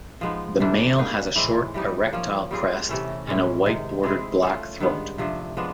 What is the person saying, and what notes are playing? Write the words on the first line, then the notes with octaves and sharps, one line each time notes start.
The male has a short erectile crest and a white-bordered black throat.
F3 G#3 B3 D#4
C3 E3 A3 D4
A#3 D#4 G#4 B4
A2 E3 G#3 C4
E3 G3 B3 D#4
F3 A#3 C#4
G3 C4 F4 G#4
C3 E3 A3 C#4
A2 E3 G#3 C#4
C3 D#3 G#3
G#3 C4 E4 G#4
A3 C#4 F4
G2 D#3 G#3 B3
C3 F3 A3 D4
F3 G#3 B3 D4